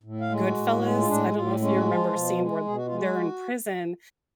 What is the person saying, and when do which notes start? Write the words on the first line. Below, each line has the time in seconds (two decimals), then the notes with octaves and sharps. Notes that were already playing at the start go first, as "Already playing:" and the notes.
Goodfellas. I don't know if you remember a scene where they're in prison
0.03 A2
0.21 F5
0.30 G#3
0.39 F#4
0.56 A2
0.82 G#3
0.98 F4
1.08 A2 D4
1.35 A2 F4
1.60 G#3 C#4
1.76 F#4
1.86 F3 F4
2.13 B2
2.40 G#3
2.65 B2 G#4
2.76 F#4
2.86 F4
2.92 G#3 F#4